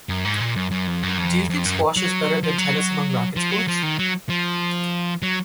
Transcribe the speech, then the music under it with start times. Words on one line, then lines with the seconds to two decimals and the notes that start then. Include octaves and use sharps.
Do you think Squash is better than Tennis among Racket Sports?
0.09 F#2
0.25 G#2
0.40 A#2
0.56 F#2
0.71 F#2
0.87 F2
1.03 F#2
1.18 F2
1.50 F2
1.65 F#2
1.97 F#3
2.43 F3
2.58 F#3
3.36 F3
3.51 F#3
3.68 F3
3.83 D#3
3.99 F#3
4.29 F3
5.22 F#3